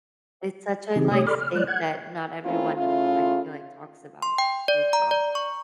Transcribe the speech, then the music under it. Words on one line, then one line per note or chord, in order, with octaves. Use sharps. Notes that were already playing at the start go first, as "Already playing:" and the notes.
It's such a like state that not everyone, I feel like, talks about- Utah.
C#3 E3 C4 D#4 G4 G#4
C3 A3 G4 C#5 D#6
A4 D5 B5 C6 D6 F6
F6
F#3 G#3 C#5 D5 F#6
F#5 F#6 G#6
A3 A#3 C4 C#4 E4 F4
C#3 A3 C#4 E4 F4
C6
G5
D5
A#5
D5
C#6